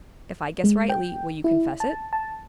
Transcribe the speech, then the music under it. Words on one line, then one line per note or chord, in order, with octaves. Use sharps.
"If I guess rightly, will you confess it?"
G#3
G5
E4
A5
A5